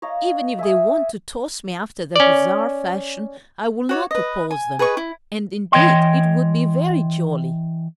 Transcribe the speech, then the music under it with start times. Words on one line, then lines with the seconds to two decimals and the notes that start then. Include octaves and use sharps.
Even if they want to toss me after the Hussar fashion I will not oppose them, and indeed it would be very jolly!
0.02 C#5 D#5 F5 A#5
0.59 E5 G#5 D#6
2.16 C#4 D5
3.89 F#4 C#5 D5
4.11 B4 D#5
4.51 G#5
4.79 G#4 B4 D#5 C#6
4.97 E4
5.72 E3 C#5 D#5 G5 C6